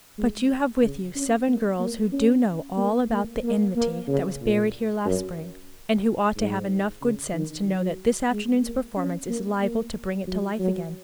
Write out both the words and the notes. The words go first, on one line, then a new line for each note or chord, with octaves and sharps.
But you have with you seven girls who do know all about the enmity that was buried here last spring, and who ought to have enough good sense to know that this afternoon's performance is liable to bring it to life again.
G#3
C#3
C#4
A#3
A#3
C#4
A#3
A#3
A#3
A#3
C#3
A#2
F#2
G#2
C#3
D#3
F#3
G#3
A#3
C#4
A#3
A#3
F#3
F#3